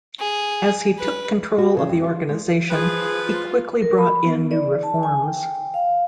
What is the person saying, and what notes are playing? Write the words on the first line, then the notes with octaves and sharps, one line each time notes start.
As he took control of the organization, he quickly brought in new reforms.
G#4
B4
F#4
C#3
F2
F4
G#3
F3 G#4 B4
F4
A#4
B5
B3
D5
A5
G#5
G5
F5